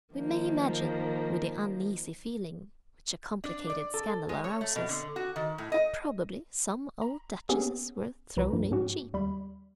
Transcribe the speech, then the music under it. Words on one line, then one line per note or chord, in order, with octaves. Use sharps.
We may imagine, with the uneasy feeling which a complicated scandal arouses, that probably some old duchesses were thrown in cheap.
D#3 F3 A#3
D4
D5
A4
G#3
C#5
A3
B2
D3
F#4
D#3
A2
D#5
A#5
A#3 B3 C#4 D4 G4 G#4
C2 F3 B4 A#5
G2 F3
G#2 C#4 F#4
D#2 G3 B5